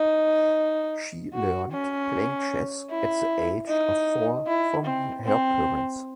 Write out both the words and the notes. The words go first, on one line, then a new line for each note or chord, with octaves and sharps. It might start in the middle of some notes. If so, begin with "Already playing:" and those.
She learned playing chess at the age of four from her parents.
Already playing: D#4
F#4
C#4
E4
D#4
E4
C4
C4